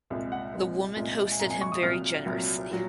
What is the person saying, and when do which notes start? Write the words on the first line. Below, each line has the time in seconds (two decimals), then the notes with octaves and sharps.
The woman hosted him very generously.
0.10 C2 A#2 G#3
0.32 F#5
0.54 C2 A#2 G#3
0.96 C2 A#2 G#3
1.32 G#5
1.40 C2 A#2 G#3 A#5
1.50 G#5
1.61 C#6
1.72 D#6
1.83 C2 A#2 F#3 F6
2.26 C2 A#2 F#3
2.71 A#2 F#3